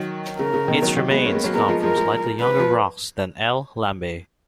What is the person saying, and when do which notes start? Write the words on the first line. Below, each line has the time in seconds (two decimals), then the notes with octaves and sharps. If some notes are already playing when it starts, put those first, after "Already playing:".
Its remains come from slightly younger rocks than "L. lambei".
Already playing: D#3 F#3
0.39 C#3 A#4
0.54 C#3
0.68 B2 D#3
0.82 D#3 F#3
0.97 D#3 F#3
1.11 G#3 B3
1.25 A#3 C#4
1.35 G#3 B3
1.44 F#3 A#3
1.54 G#3 B3 A#4
1.68 F3 G#3
1.82 F3 G#3 A#4
1.97 F3 G#3
2.40 B4
2.59 F3